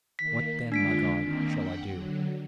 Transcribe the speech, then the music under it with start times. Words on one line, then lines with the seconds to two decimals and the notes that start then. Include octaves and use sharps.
What then, my God, shall I do?
0.19 D#3 A#3 B6
0.72 D3 G#3 D4 F4 B6 D7
1.20 D#3 A#3 C4
1.55 F#5 G5
1.89 D3 F#3